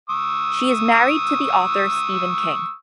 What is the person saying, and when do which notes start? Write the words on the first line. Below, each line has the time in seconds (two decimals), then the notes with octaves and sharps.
She is married to the author Stephen King.
0.10 C#6 D#6 E6